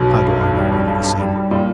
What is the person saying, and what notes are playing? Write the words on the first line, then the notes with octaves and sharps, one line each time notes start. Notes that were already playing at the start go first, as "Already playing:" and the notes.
How do I know you never sing?
Already playing: B1 B2
G2
G2
G2
G3
G3
G2
G2
G3
G3
A#2 G3